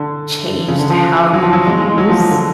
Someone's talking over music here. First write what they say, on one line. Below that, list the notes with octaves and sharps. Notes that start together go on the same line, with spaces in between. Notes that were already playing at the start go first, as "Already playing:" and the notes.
changed how you use,
Already playing: D3
C#3
D3
F3
F#3
F3
F#3
G#3
G#3
G#3
F#3
F3
F3
D3